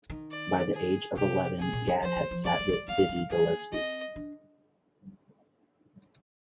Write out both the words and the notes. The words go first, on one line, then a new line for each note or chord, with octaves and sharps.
By the age of eleven Gadd had sat in with Dizzy Gillespie.
D#3
D5
G#4
C3 G4
C3 G#4
A#2
D3
F3 C5
G3
F3
G3 D5
G3
F3
G3
G3 F5
G3
G3
G#3
A#3 G#4
C4 D#5
D4